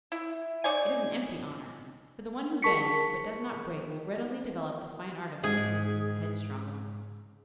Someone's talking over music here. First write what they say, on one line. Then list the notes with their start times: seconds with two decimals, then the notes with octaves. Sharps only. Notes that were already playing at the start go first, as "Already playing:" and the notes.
It is an empty honor, for the one who bends but does not break will readily develop the fine art of influencing the headstrong one.
0.12 E4
0.64 D#4 C#5 D5 G#5
2.62 G#4 A#4 A5 C#6 B6 C#7
5.44 G#2 G#4